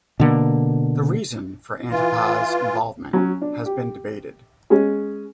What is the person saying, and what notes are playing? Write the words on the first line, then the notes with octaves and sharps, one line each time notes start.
The reason for Antipas' involvement has been debated.
B2 D3 A#3
E3 F4
F#3 C#4
D4
G4
G#3 C#4 G#4